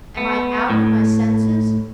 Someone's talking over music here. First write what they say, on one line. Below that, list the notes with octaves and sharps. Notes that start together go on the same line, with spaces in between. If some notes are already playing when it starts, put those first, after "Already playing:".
Am I out of my senses?
B3
A2